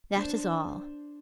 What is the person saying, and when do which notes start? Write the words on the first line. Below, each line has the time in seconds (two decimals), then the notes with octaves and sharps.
That is all.
0.16 D4 C5 A5